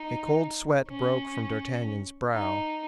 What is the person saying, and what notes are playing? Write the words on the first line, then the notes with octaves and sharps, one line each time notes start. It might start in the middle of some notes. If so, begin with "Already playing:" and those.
A cold sweat broke from d'Artagnan's brow.
Already playing: D#4
C#4
D#4